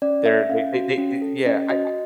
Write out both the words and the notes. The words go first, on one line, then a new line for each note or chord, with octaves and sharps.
they're they they they they yeah, I
C#4 D5
A4 E5
C#4 F5
F#4
C#4
A4
C#4 D#5
F#4 D#5